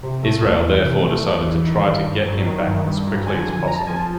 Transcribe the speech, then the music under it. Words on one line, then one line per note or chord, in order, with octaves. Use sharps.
Israel therefore decided to try to get him back as quickly as possible.
C3
A3
E2
E3
C3
A3
E2
E3
D#3
G2
G2
F#3
D#3
G2
G2
F#3
D3 G#5
F2
F2 A#5
A5
F3 G#5
A5